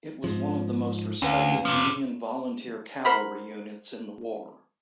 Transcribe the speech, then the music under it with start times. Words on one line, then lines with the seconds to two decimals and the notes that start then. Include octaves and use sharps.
It was one of the most respected Union volunteer cavalry units in the war.
0.24 G#2 F3
1.22 D2 C#4 B4 F5
1.65 C3 F3
3.05 A#4 C5 F#5 B5